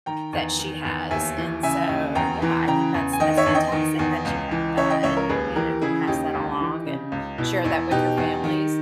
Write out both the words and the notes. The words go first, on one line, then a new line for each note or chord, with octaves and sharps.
that she has, and so, yeah, I think that's that's fantastic that you have that, and you you know, can pass that along and share that with your families,
D#3 G5 A#5
E2
D#3
E2
D#2 E5 G#5
E3
C#3 E5 G#5
D#2
E2 G5 A#5
E3
C#3 G5 A#5
E2
G#5
D#3 D#5 G5
C#5 E5
E2
D#5 G5
D#3
E2
C#2
E3
C#3 C#5 E5
D#5 G5
C#2 C#5 E5
A#4 C#5
D#2 G#4 B4
E3 G4 A#4
C#3 E4 G#4
D#2 D#4 G4
C#2
E3
C#3
C#2
B2 E4
E2 E4
B2 D#4 G4
E2
D#3